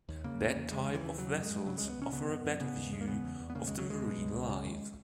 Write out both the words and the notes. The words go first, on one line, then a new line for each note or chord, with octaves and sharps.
That type of vessels offer a better view of the marine life.
D#2
C#3 A#3
E2
E2
C#3 G#3
D#2
E3
D#2
C#3 F#3
F#2
G#3
F#2
C#3 F#3
C#2 G#3
B3
C#2 C#4
C#3 B3
F#2
F#2
C#3 B3
D#2
D#2 G#3
A#3
C#3 B3
E2
E2
B3
C#3 A#3
D#2 G#3
F#3
D#2 G#3
B2
C#2
C#2
C#3
D#2